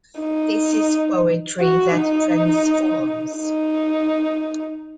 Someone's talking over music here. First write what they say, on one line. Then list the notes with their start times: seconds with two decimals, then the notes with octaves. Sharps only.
This is poetry that transforms.
0.20 D#4
1.60 F#4
1.96 D#4
3.36 D#4